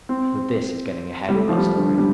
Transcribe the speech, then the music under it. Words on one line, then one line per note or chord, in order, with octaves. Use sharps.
But this is getting ahead of our story.
C4
G3
A3
F3
G3
D3
G3